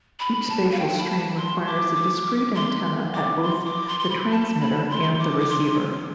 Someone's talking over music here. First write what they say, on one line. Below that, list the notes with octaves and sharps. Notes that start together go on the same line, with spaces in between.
Each spatial stream requires a discrete antenna at both the transmitter and the receiver.
B5
A5
F5
G5
B5
A5
C6
D6
D6
D6
C6
D6
C6
D6
C6
C6
B5
A5
B5
C6
D6
D6
C6